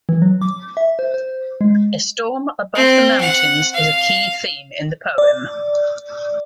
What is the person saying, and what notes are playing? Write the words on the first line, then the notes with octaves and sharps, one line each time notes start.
A storm above the mountains is a key theme in the poem.
E3
F#3
D6
E5
C5
C5
G#3
C4
F#5
F5
D5